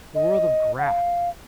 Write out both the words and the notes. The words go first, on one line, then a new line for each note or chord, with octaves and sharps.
The world of graft!
D#5
F#5
F5